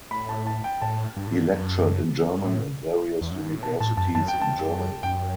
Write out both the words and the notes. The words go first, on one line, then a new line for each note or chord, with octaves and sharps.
He lectured in German at various universities in Germany.
A2 B5
A5
A5
G5
A2 A5
G2
A2
G2
F#2
F#2
G2
A2
E2
F#2
G2
A2
B2 A5
A2 A5
F#2 A5
F#2 A5
F#2 G5
E2 A5
F#2
F#2 G5